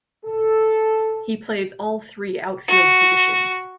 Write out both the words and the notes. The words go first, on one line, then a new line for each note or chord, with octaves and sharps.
He plays all three outfield positions.
A4
F#4